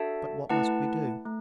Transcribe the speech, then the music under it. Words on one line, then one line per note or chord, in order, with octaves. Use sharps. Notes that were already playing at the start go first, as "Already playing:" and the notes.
But what must we do?
Already playing: D4 F#4 A4 E5 A5
A3 E4 B4 F#5 A5
A3